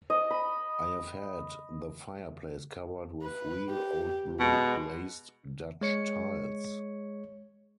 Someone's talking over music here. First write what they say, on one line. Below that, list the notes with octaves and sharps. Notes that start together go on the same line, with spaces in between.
I have had the fireplace covered with real old blue glazed Dutch tiles.
D#5
B5
B4
G4
B2 G#3
G#3 C#5 C#7